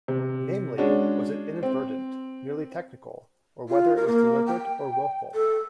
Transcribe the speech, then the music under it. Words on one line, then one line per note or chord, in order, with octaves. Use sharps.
Namely, was it inadvertent, merely technical, or whether it was deliberate or wilful.
C3
G#3 C#4 D4 F#4
C4
F4
A#4
A#3
G5
A4